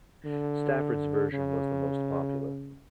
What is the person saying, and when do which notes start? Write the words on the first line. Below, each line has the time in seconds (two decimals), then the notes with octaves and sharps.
Stafford's version was the most popular.
0.25 D3
1.32 C#3